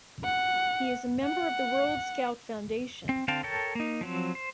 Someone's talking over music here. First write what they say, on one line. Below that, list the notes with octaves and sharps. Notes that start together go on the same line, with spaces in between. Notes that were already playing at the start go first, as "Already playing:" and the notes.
He is a member of the World Scout Foundation.
F#5
F#5
C4
D3 C4 F5 G5 A5
A4 A#4 C#5 G5 A5
A#3 D#4
F3 F#3 C4
C5